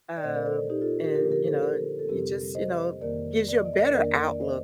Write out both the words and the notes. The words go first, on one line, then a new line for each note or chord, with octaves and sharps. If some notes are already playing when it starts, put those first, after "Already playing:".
um, and, you know, you just you know, gives you a better outlook
D5
A#2 A3 C4 C5 D#5
A#4 D5
A4 C5
D#4 G4
F4 A4
G4 A#4
D3 F3 A#3 D4 G4 A#4
G4 A#4
A4 C5
G4 A#4
A4
F2 C3 G3 C4 G4 A#4
C5 D#5
F2 D#3 A#3 A#4 D5
D5
D#5
D5
D#5
A#4 D5
F2 D#3 A#3 D4 A#4 D5
D5
C5 D#5